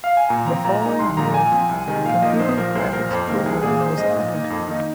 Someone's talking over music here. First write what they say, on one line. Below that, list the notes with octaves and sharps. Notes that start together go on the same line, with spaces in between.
The following year, a Computer Graphics program was added.
F5
G#5
A#2 A#5
F3 C4 A#5
A#2 A#5
G#3 D#4 A#5
C2 C6
A#2 F3 G#3 A#5
A#2 G#5
F3 C4
C2
C3 D#3 G#3
A#2 F5
F3 A#3 D#4 D#5
A#1 C5
A#2 F3 A#4
C2 C5
A#2 F3 A#4
F2 C5
C3 D#3 A#3 A#4
C2 G#4
A#2 A#3 G#4
A#1 C5
G#2 G#3 D#5
A#2
A#3 D#4
F2
D#3 A#3 D#4